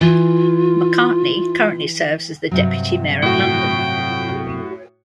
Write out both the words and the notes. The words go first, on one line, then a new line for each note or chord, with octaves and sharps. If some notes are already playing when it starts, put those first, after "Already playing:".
McCartney currently serves as the Deputy Mayor of London.
E3 F4
G2 C3 F#3
A2 F#4 G5